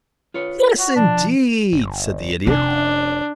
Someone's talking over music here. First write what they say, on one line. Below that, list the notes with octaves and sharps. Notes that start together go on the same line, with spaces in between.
"Yes, indeed," said the Idiot.
F4 B4 C#5
F#4
B2 F3 D4
G1
F1 C3 C#4 D4